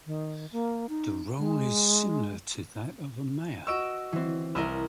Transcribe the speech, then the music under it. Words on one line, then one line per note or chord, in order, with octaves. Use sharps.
The role is similar to that of a mayor.
D#3
A#3
D#4
G#3
F#4 D#5 C#6 E6 D7 E7
E3 C4
C2 A#4 D#5 E5